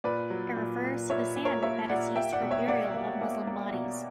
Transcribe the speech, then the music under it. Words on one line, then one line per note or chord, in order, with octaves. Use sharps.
It refers to the sand that is used for burial of Muslim bodies.
A#2 B4 D5
F#3
A#2
A#2
A#2 C#5 E5
A#2
A#4 C#5
A#3 C#5 E5
A#2 D5 F#5
A#3 E5 G5
D5 F#5
B2
C#5 E5
A#3 D5 F#5
A#3
A#3
A#3
B2